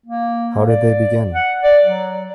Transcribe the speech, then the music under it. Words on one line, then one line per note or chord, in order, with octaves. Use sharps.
How did they begin?
A#3
D5
F#5
D5
F#3